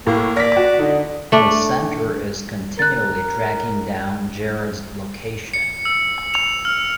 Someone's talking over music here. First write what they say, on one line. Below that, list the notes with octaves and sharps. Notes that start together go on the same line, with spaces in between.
The Centre is continually tracking down Jarod's location.
A2 A#3
D5 A#6 B6
F#4
D3 D#4
A3 D4
A#4 F#6 A6
C#7
E6
F7
F6